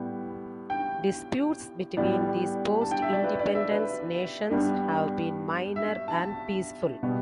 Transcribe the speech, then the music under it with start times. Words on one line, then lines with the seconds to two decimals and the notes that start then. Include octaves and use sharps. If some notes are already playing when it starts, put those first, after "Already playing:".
Disputes between these post-independence nations have been minor and peaceful.
Already playing: A2 G3 B3
0.70 G5
1.97 A2 G3 B3 D5
2.81 A5
2.91 G5
3.02 E5
3.13 D5
3.24 B4
3.39 D5
3.55 E5
3.71 B4
4.50 G2 G3 B3
5.76 E5
6.08 A5
7.03 B2 G3 B3